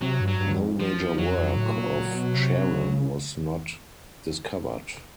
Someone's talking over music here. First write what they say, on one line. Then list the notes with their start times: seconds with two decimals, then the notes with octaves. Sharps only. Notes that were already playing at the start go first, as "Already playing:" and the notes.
No major work of Sharan was not discovered.
0.01 C3 F#3
0.21 G2
0.28 F#3
0.40 G2
0.60 F2
0.80 F3
0.99 E2
1.18 F2 F#3
1.37 F2
1.57 A2
1.76 A#2
1.96 A#2
2.15 B2
2.35 C3
2.73 C#3